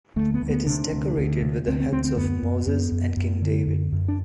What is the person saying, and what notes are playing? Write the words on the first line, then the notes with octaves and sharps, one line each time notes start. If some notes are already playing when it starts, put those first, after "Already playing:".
It is decorated with the heads of Moses and King David.
D2 A3
B3
D2 A3
B3
C3 D4
D2
D2
C3
D2 C4
C4
D2 C4
C4
F#2 B3
F#2
F#2 B3
F#2
F#2
D3
F#2
F#2
D4